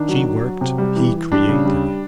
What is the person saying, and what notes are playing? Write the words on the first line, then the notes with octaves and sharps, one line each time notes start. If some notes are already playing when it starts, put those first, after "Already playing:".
She worked; he created.
Already playing: D#3 D4
F#3
F#3
F#3
C3
G3
E3
E3
G3 D4
C#3
G3